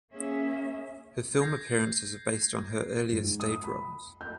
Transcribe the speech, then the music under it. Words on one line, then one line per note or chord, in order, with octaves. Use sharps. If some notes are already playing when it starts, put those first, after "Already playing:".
Her film appearances are based on her earlier stage roles.
A#3 C#4 G#4 E5
G6 G#6 A#6 C7
G#2
D#6
B5
G6